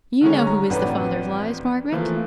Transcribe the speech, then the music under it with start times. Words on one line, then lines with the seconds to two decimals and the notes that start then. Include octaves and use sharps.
You know who is the father of lies, Margaret?
0.21 D3 D#3 G#3 C#4
0.47 A#5
0.70 A1 F2 D4 B4 F#5
1.92 E3 F3 A3 A#3